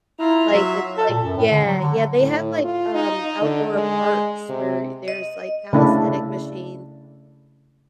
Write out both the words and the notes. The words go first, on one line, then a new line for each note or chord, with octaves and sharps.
like, it's like yeah, yeah, they have, like, um, outdoor parks where there's, like, calisthenic machines,
E4 F4 A#5
F#3 E5
A4
A#2
F#2
A2
D3
F#3
D3
A2
F4
D#4
D3
G#3
C3
D#5
C#3 A3 D4 E4